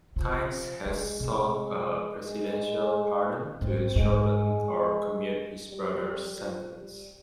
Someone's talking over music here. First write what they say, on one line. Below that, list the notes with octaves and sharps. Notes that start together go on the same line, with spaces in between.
Tynes has sought a presidential pardon to shorten or commute his brother's sentence.
C3 F3
C#3 G#3
C3 G#3
G#3
G#2 C4
G#2 G#3
G3
F3
G3